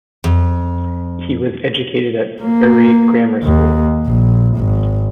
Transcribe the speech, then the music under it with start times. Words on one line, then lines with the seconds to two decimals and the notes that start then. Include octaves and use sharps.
He was educated at Bury Grammar School.
0.24 F2
2.41 A#3
3.44 D#2
4.06 A#1
4.58 G#1